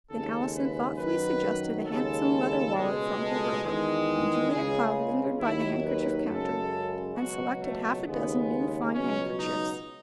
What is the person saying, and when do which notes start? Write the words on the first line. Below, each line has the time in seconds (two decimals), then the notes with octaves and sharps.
Then Allison thoughtfully suggested a handsome leather wallet for Uncle Herbert, and Julia Cloud lingered by the handkerchief-counter, and selected half a dozen new fine handkerchiefs.
0.11 D#2 C#3 G#3 A4
0.54 B4
0.98 F#2 D#3 F#3 B4
1.86 D#2 C#3 G#3 A4
2.75 C#2 B2 G#3
3.19 A4
3.64 E2 D#3 G#3
4.51 C#2 C#3 G#3 G#4
5.40 D#2 D#3 F#3 E4
5.84 B4
6.28 F#2 C#3 G#3 A4
7.16 C#2 B2 F#3 F#4
7.61 A3
8.05 D#2 C#3 G#3 B3
8.94 C#2 B2 F#3 C#4
9.38 D#4